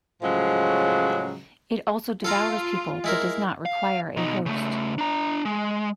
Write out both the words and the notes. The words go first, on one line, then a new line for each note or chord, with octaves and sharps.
It also devours people, but does not require a host.
A2 C#3 F3 F#3 G#3
F4 A4 F5 A#5
G#3 E4 A#4
F5
B2 D#4
C#3 A3
D4 A#5
G#3